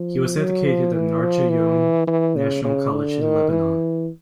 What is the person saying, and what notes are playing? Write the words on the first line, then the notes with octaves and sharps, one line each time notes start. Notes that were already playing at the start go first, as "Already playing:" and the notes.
He was educated at Narj' Oyoun National College in Lebanon.
Already playing: F3
F#3
F3
E3
F3
E3
E3
C#3
C#3
D3
D#3
E3